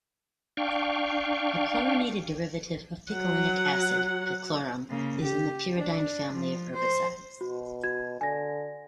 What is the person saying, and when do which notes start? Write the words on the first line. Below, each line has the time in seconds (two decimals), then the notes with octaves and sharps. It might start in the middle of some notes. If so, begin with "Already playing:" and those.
A chlorinated derivative of picolinic acid, picloram is in the pyridine family of herbicides.
0.57 D4 F5 G5 C#6
3.12 F#3 F#5
4.90 C#3 A#3
5.21 G4
5.77 D4
6.32 F3
6.74 C5
7.41 B2 F#4
7.83 F#4 G#6
8.21 D3 G#5 A#6